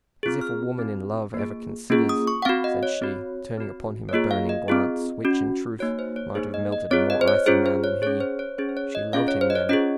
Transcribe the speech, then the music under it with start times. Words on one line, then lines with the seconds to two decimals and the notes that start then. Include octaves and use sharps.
"As if a woman in love ever considers!" said she, turning upon him a burning glance, which in truth might have melted a more icy man than he. --She loved him then!
0.23 C4 F4 G#4
0.41 F6
0.79 C4 D#4 F#4
1.34 A#3 F4 G#4
1.90 A#3 C#4 F4 G#4
2.09 D#6
2.27 C#6
2.42 F#5
2.45 C4 F#4 F5
2.64 D#5
2.83 C#5
3.02 C4 F#4
3.58 C4 F#4
4.09 C#5
4.13 A#3 F4 G#4 D#5
4.31 F5
4.49 D#5
4.68 C4 F4 G#4
5.25 C#4 F#4
5.79 A#3 D#4 F#4 C#5
5.99 C5
6.16 C#5
6.35 A#3 D#4 G#4 C5
6.54 D#5
6.72 D#5
6.91 C4 F4 G#4 C#5
7.10 D#5
7.21 C5
7.28 C#5
7.46 C#4 F4 G#4 C5
7.66 C5
7.84 C#5
8.02 C#4 G#4 C#5
8.21 C5
8.39 C#5
8.58 C#4 G#4 C5
8.69 C5
8.77 C#5
8.95 D#5
9.13 C#4 F4 G#4 F5
9.28 C#5
9.41 C5
9.50 D#5
9.55 C#5
9.69 C#4 F4 G#4 D#5